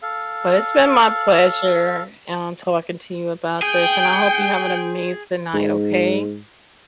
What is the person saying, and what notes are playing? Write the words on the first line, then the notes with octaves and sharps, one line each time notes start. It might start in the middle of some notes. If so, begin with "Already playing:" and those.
but it's been my pleasure, um, talking to you about this, and I hope you have an amazing night, okay?
A4 F5
G#4 G5
G#2